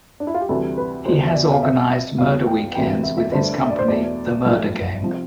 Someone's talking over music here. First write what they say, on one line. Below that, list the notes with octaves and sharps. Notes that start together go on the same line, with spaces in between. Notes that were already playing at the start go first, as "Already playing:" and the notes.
He has organised 'murder weekends' with his company 'The Murder Game'.
D4
E4
F4
G4
D2 C3 E3 G3 A4
B4
E2 B2 G3 C5
E5
D5
F5
C2 C3 G3 E5
E5
E2 B2 G3 F5
G5
E1 D2 C3 E3 G5
E5
E5
G1 G2 D3 A3 C5
E5
D5
C5
E2 B2 A3 D5
B1 A2 F3 A3
C3 F3